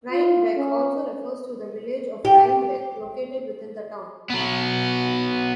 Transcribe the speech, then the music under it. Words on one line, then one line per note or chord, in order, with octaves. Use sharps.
"Rhinebeck" also refers to the village of Rhinebeck, located within the town.
F4
C#4
G4
F#3 B3